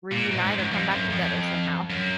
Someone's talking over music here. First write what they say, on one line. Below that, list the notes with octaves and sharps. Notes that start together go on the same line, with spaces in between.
reunite or come back together somehow.
A#2
G#2
G#2
F#2
F2
F#2
F2
F#2